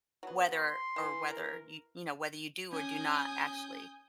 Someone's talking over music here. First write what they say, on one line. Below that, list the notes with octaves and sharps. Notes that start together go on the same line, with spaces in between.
whether or whether you you know whether you do or do not actually
F#3 B3
C6
E3
A#4
C#4 G#5 D#6 G6